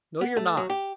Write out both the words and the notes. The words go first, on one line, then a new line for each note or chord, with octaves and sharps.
"No, you're not."
B3
A3
F#3
G4